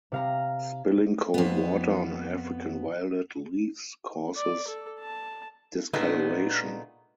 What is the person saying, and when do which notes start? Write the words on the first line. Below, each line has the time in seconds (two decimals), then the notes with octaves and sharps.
Spilling cold water on African violet leaves causes discoloration.
0.12 C3 F5 A#5
1.34 F2 B3
4.36 D5
4.68 A4
5.00 A5
5.93 A#2 G#3 A3 B3 D4 D#4